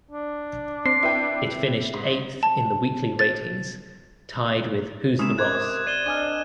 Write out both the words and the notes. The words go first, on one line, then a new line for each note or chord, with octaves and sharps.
It finished eighth in the weekly ratings, tied with Who's the Boss?
D4
C4 C7
E4 B4 G5
G#2
A5
A6
G#3 C#4 E4 A#4 D#6 E7
C3 A#4 C6 D6 F#6 G#6
D6
C5 D5 D#7 E7 G7
D4 D#5 G#5 F6 D#7